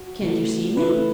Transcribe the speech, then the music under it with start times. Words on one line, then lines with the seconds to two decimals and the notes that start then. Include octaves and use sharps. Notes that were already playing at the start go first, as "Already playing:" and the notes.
"Can't you see me?"
Already playing: F#4
0.21 C#3 E3 A3
0.77 C#3 E3 A3 B4